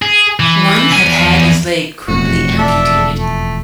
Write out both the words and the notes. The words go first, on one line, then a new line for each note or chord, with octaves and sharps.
One had had his leg crudely amputated.
G#4
E3
E2 G#5
E1 F2 A2 F#4
D4 A4 E5
A3